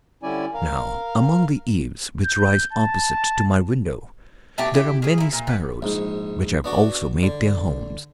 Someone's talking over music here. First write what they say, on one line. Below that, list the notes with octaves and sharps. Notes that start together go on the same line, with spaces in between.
Now, among the eaves which rise opposite to my window there are many sparrows which have also made their homes.
D3 G3 C#4 E4 D5 G#5
A#4 F5
G6
A5
F#3 A3 B3 G4
E4 G4
C#3 G#4
A#3 E4
A#2
B3
A#1 G#2
B3 D4 F#4
D3